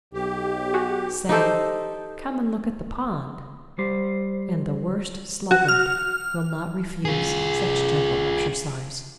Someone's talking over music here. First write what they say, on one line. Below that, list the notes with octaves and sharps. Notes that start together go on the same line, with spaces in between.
Say, "Come and look at the pond," and the worst sluggard will not refuse such gentle exercise.
B1 G4
F#4 G#4
D#4 G4 A4 C5
G3 C5
F#4
F6
F4 G#4